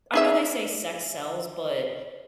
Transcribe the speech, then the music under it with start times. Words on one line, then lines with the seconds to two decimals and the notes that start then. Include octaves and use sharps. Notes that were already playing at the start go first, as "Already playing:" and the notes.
I know they say "sex sells" but
0.14 D#4 G#4 E5